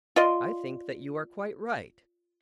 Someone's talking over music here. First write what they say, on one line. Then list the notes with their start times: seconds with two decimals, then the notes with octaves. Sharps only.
I think that you are quite right.
0.16 F4 D5 D#5 C6